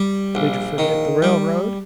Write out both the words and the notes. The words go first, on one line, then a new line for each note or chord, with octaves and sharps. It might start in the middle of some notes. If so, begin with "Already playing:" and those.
Did you forget the railroad?
Already playing: G3
A#1
D#3
G3